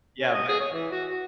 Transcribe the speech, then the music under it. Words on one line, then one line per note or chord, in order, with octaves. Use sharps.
yeah, but
C#4
D#5
G#4
C#5
E3
F#4
F#4